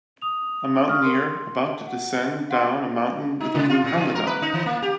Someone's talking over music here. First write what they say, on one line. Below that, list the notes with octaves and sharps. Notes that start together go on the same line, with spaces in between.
A mountaineer about to descend down a mountain with a blue helmet on.
D#6 F7
F5 C#6 D#6 F6
A#4 C6
F#5
F5 F#5 C6 D6
D#4
C#3
F4
A#2
F3
A#4
B4
D#4
E3
A#3
G4